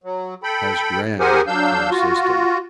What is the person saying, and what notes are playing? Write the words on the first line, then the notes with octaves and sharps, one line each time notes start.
He has Gran for assistant.
F#3
A4 G5 B5
G4 G#4 A#4 C5 F#5 G#5
F#3 D4 F5 E6 G6
F4 F#4